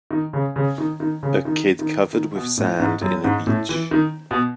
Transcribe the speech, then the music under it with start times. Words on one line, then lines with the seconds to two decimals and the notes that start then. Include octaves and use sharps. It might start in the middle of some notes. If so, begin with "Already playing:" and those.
A kid covered with sand in a beach.
0.11 D#3
0.33 C#3
0.56 C#3
0.78 D#3
1.00 D#3
1.23 C#3
1.45 D#3
1.79 D#3
2.13 D#3
2.35 B2
2.57 A2
2.80 G#2
3.02 F#2
3.24 G#2
3.47 A2
3.69 E3
3.91 D#3
4.31 B2